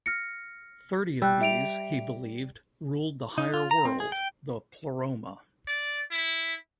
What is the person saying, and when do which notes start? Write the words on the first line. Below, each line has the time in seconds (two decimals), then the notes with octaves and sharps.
Thirty of these, he believed, ruled the higher world, the "pleroma".
0.06 F6 A#6 C#7
1.22 G3 E6 F#6
1.41 E5 D7 F7
3.38 D#4
3.54 F4
3.71 A#5
3.85 C4
4.00 G#4
4.12 G5
5.68 D5
6.11 E4